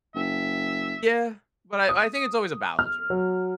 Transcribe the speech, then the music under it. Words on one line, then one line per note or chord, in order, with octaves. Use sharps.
Yeah. But I I think it's always a balance, really.
F#1 E5
D#6
F6
F#3